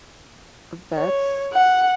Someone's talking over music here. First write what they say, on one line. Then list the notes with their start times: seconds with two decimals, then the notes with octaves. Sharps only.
Um, vets?
0.96 C#5
1.53 F#5